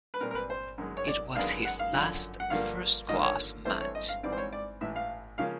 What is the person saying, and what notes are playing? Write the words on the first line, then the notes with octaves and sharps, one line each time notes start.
It was his last first-class match.
B4
A#2 G3 C4 A#4
A#4
B4
C5
F#2 D#3 G#3
C#5
D5
F#2 D#3 G#3 B3 D4 F5
F#5
F5
F#2 D3 F3
F#5
G2 D3 F3 A#3 F5
D#2 D3 F3 A#3 D#5
C#5
G2 E3 A3 C4 C5
C#5
D#5
F5
G#2 E3 G3 C4 D5
C5
C#5
D5
A1 A2 E3 E5
F5
C#3 F3 A#3 C#4 F5